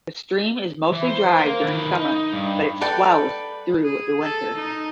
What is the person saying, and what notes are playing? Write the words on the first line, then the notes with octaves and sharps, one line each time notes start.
The stream is mostly dry during summer but it swells through the winter.
E3
C5
A#4 F5
D#3 B4
D#4
G2
A4 B4 D5 G5
G#4
A4
D#4